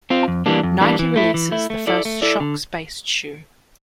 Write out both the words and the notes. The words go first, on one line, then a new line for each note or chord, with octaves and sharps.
Nike releases the first Shox based shoe.
C4 F4
F2
E3 G3 A#3 D4
F2
E3 G3 A#3 D4
E3
A3 E4
E3
A3 E4
A3
E4 A4 D5
A3
E4 A4 D5
D3